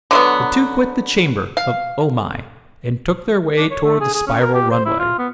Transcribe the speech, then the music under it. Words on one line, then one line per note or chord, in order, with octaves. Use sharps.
The two quit the chamber of O-Mai and took their way toward the spiral runway.
D3 F#3 B3
F5
D4
C#5
A3
G#4
G#4
C#4
A#4
G4
C5
E4
F4
B3